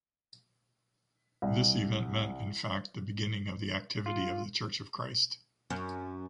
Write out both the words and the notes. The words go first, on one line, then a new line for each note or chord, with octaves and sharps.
This event meant, in fact, the beginning of the activity of the Church of Christ.
C2
F4
F#2